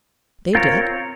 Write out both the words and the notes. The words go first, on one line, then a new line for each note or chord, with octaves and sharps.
"They did."
C4 F4 A#4 C#5